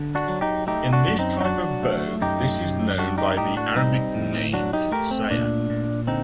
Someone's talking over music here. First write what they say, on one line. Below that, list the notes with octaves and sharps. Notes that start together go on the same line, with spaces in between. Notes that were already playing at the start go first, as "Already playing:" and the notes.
In this type of bow, this is known by the Arabic name 'siyah'.
Already playing: D3
D4 F#4
F#3
D#4 G4
A3 D#4 G4
D4 F#4
F#2
C4 D#4
D#4
F#3 D4 F#4
A3
F#2 D#4 G4
F#2
G3 D4 F#4
D#4 G4
A2 D#4 G4
D4 F#4
G3 C4 D#4
A2
F#3 D4 F#4
D#4 G4
A3 G4 A#4
C4
A#2 D4
A#2
D3 C4 D#4